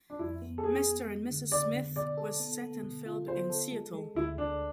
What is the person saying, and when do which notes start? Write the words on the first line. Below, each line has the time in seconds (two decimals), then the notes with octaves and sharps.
"Mr. and Mrs. Smith" was set and filmed in Seattle.
0.10 D4
0.19 F2 E4
0.42 B3
0.58 A4
0.64 B3 G#4
0.86 B3
1.08 G#3
1.30 D3
1.51 D3 D5
1.74 D3
1.96 B2 D5
2.18 A4
2.40 B3
2.62 B3
2.83 B2
3.06 F4
3.27 F4 C5
3.50 A4
3.72 G#3
3.94 G#3
4.15 D2 E4
4.37 D2 D4